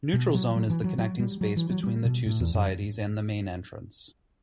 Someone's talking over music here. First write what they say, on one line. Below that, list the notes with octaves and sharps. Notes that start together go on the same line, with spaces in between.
Neutral Zone is the connecting space between the two societies and the main entrance.
B2
F#3
F#3
E3
F#3
F#3
G3
F#3
E3
F#3
G3
B2
A2
E2
F#2